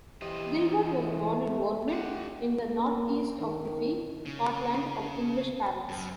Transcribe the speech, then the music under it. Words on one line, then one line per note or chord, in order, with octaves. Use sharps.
Gilbert was born in Wormit, in the north-east of Fife, Scotland, of English parents.
E3 G4 C5 D#5
D#4
A3
G4 F#5
A#3
D#3
C#3
F#2